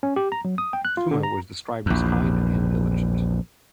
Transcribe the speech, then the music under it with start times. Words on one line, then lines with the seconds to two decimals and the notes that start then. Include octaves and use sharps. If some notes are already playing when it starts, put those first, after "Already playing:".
Suma was described as kind and diligent.
0.03 C#4
0.16 G4
0.32 A#5
0.45 F#3
0.58 D#6
0.73 G5
0.85 F#6
0.97 F4
1.11 D3
1.23 A#5
1.86 A#1 E2